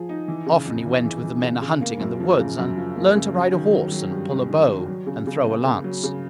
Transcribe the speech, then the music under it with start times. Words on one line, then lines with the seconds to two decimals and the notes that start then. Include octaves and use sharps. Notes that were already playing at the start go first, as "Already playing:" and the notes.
Often he went with the men a-hunting in the woods and learned to ride a horse and pull a bow and throw a lance.
Already playing: F3 G#4
0.09 D#4
0.28 E3
0.46 C#3
0.66 F2
0.85 E3
1.04 E3
1.23 E3
1.43 C#3
1.61 C#3
1.81 A#3
2.00 F#2
2.20 F3
2.39 C#3
2.58 F#2
2.77 F3
2.96 A#3
3.15 C#3
3.34 F#3
3.53 D#3
3.73 F#3
3.91 F#3
4.11 G2
4.30 G2
4.49 D#3
4.69 F#3
4.88 F#3
5.07 C#3
5.27 C#3
5.46 A#3
5.65 C#3
5.84 F#3
6.04 C#3